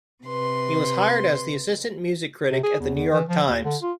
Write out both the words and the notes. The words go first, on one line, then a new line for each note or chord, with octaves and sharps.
He was hired as the assistant music critic at "The New York Times".
C3 B4 C6
C3
G#4
E2
E2
E3
F3
D#2
D3
F4